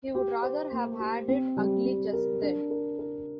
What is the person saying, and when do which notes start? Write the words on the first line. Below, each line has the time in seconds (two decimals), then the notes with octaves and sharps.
He would rather have had it ugly just then.
0.15 G4
0.43 C5
0.72 A#3
0.99 G4
1.28 C4
1.57 G3
1.85 C4
2.13 A#4
2.42 D4
2.71 A#4
2.99 A#4